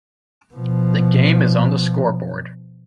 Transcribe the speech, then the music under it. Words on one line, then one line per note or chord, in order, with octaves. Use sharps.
The game is on the scoreboard.
B2 F3